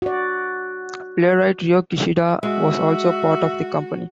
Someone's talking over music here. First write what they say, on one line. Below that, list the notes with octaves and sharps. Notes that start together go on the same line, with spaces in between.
Playwright Rio Kishida was also part of the company.
F#4 D5
G#3 F#4 E5